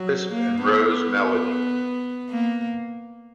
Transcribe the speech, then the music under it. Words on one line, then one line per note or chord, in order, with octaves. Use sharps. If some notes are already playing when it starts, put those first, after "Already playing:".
Crisp and Rose Meleady.
Already playing: F#3
A#3
B3
A#3